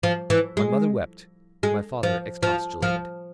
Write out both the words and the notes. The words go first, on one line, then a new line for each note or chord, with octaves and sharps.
My mother wept, my father expostulated.
F3
E3
G#3
G#3
F3
F3
F3